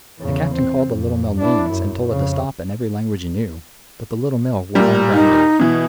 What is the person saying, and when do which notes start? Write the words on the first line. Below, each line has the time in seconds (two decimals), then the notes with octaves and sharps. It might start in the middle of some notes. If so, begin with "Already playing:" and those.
The Captain called the Little Mill names and told it to stop, in every language he knew, but the Little Mill went on grinding.
0.19 E2 C#3
0.54 C4
0.86 F2
1.39 D4 E4
1.70 F#2
2.09 F2 C#3
4.75 A#2 G3
5.13 D#4
5.59 B2 E3